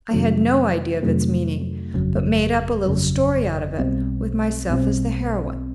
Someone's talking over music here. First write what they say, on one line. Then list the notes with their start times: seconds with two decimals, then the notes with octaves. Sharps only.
I had no idea of its meaning, but made up a little story out of it, with myself as the heroine.
0.11 F2 C3 D#3 F#3 A3
1.03 F2 C3 D#3 F#3 A3
1.94 G1 F2 C#3 F#3
2.86 G1 F2 C#3 F#3
3.78 B1 B2 G3 C4
4.69 B1 B2 G3 C4